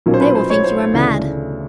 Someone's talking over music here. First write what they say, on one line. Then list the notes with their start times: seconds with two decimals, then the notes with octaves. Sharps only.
"They will think you are mad."
0.06 B1 A#2 F#3 A#3 C#4
0.14 C5
0.21 B4
0.35 C5
0.50 C#5
0.64 C5
0.93 D2 C#3 E3 A3 D4